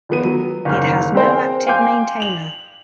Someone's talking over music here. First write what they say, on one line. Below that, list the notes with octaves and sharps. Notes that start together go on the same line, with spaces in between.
It has no active maintainer.
D#2 F3 B3 D#7
F#3
F#1 D#2 F6
C4 G#4 A#4 C5 G5 G#5
F5 G5 G#5 C6 D6 G6
F7 F#7